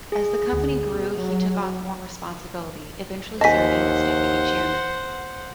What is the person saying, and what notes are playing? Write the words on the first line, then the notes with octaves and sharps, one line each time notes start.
As the company grew he took on more responsibility, eventually serving as deputy chairman.
G#4
D2
B2
F#3
D#2 C5 D#5 F#5 G#5 A5 B6